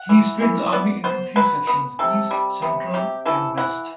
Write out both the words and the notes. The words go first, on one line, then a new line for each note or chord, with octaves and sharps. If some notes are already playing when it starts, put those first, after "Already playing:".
He split the army into three sections - East, Central and West.
Already playing: F#5
E3
E3
B3 D5
B3 C5
F#3 B4
B3
C3 A4
G3
C3 B3
C3 G4
E3 A4
E3 F#5